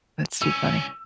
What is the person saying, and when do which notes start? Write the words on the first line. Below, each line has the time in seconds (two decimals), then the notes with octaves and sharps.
That's too funny.
0.42 C2 C#4 E6